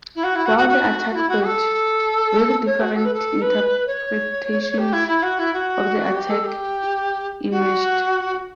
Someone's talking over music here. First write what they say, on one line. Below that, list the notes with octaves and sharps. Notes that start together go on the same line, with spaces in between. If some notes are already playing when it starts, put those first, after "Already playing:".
While the attack failed, very different interpretations of the attack emerged.
E4
F#4
E4
F#4
F#4
F#4
E4
F#4
A4
C#5
F#4
A4
B4
A4
B4
C#5
G4
E4
E4
F#4
E4
F#4
G4
A4
G4
F#4